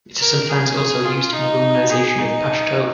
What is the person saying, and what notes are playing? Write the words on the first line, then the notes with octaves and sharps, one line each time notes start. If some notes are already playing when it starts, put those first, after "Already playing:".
It is sometimes also used in the romanization of Pashto.
A#4
G#4
G#4
F4
D#4
G#4
D#4